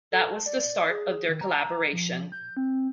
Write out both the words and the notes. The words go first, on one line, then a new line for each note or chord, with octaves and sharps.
That was the start of their collaboration.
A4
A5
D5
G#4
D#3
A#5
F3
G6
C4